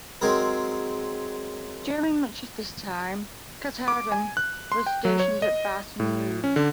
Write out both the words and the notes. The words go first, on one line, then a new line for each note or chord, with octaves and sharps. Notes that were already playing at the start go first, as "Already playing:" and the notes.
During much of this time "Katahdin" was stationed at Baton Rouge.
F#3 G#3 C4 G#4 A#4
D6
G#5
F#6
C6
G5
F#3
C#5
D#5
A2
C#4
D3